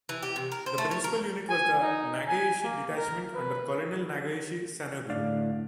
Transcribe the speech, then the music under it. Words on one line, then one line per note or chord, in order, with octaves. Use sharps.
The principal unit was the Nagayoshi Detachment under Colonel Nagayoshi Sanonebu.
E3
G4
C3
A#4
C5
A3
C#5
A#4
G#5
D#4
G#5
A#3
A#4
B4
A2 D3 D5 F5